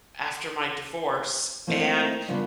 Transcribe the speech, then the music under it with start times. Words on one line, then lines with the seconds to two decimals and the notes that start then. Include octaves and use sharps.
after my divorce. And,
1.67 A3 A#3 C4 D#4 E4 A4
2.28 C#3 G3 A#3 B3 D4 F4